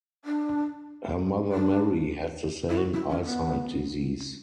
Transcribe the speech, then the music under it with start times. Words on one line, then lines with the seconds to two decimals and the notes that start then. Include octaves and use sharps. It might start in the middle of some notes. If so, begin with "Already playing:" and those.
Her mother Mary had the same eyesight disease.
0.25 D4
1.51 D4
2.69 E4
2.78 F#4
2.94 E4
3.10 C#4
3.25 B3